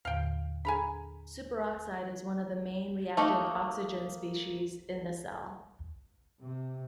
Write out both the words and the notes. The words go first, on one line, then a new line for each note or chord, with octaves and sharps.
Superoxide is one of the main reactive oxygen species in the cell.
D#2 A2 D3 F5 G5
D4 G#4 A4 G#5 A#5 B5
A3 A#3 D#4
C3